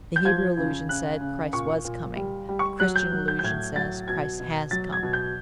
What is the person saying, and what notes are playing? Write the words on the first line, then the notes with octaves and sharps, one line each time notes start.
The Hebrew illusion said, Christ was coming; the Christian illusion says, Christ has come.
G6
F3 G#6
C#3
C#3 F#6
C#3
A#2 C#6
A#2
G3
G3
C#6
F#3 F#6
G6
F#3
G6
G6
A2 G#6
F#3 A6
B2 G#6
B2
F#3 A6
G#6
B2
G6